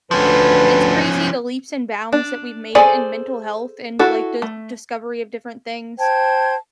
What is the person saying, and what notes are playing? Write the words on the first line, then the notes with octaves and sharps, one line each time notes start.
it's crazy the leaps and bounds that we've made in mental health, and like the discovery of different things.
D2 D3 F3 C#4 B4 A5
D4
G#4 A4 C5 D5 G#5
E4 F#4 A4
A3
C5 G5 A5 G#6